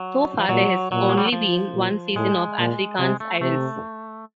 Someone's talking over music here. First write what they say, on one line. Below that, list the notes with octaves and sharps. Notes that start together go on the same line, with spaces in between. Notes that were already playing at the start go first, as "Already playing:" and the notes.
So far there has only been one season of "Afrikaans Idols".
Already playing: F#3
F3
A#2 F#3
A#2 F#3
G#3
G3
F#3
F3
A#2
A2 G#3
A#2
C3 G#3
A3
C3 A3